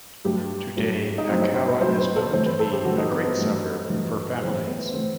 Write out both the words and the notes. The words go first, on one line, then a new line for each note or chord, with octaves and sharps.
Today, Akalla is known to be a great suburb for families.
G2 F#3 A3 G4
G2 F#3 A3
D#4
G2 F#3 A3 C4
D#4
C5
B4
G2 F#3 A3 C5
B4
A4
G2 E3 A3 C5
B4
A4
G4
G2 E3 A3 F#4
D#4
B3
B3
G2 E3 A3
G2 E3 A3
A2 E3 A3 C4
B3
A2 E3 A3 C4